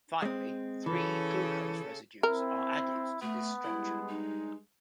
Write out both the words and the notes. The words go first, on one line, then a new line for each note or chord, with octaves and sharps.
Finally, three glucose residues are added to this structure.
G#3 C4
C#3 E3 A4
C4 E4 A#4
A3 B3
G2 G3 G#3 E4
D#4